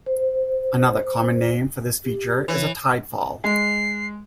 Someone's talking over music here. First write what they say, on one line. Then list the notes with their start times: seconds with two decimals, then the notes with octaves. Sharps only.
Another common name for this feature is a tidefall.
0.06 C5
2.04 G4
2.48 E3 C#5
3.44 G#3 C7